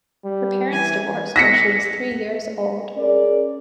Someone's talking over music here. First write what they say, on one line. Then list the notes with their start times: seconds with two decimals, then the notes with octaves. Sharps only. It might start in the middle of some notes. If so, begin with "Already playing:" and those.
Her parents divorced when she was three years old.
0.25 G3
0.72 E3 G#5
1.36 A#6 B6 C#7
2.98 C#4 G#4 A#4 D5